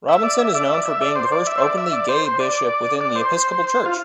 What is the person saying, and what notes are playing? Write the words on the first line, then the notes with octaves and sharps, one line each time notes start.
Robinson is known for being the first openly gay bishop within the Episcopal Church.
E5
D5
E5
D5
E5
D5
E5
D5
C5
D5
E5
C5
D5
E5
D5
C5
C5
D5
D5
C5
F4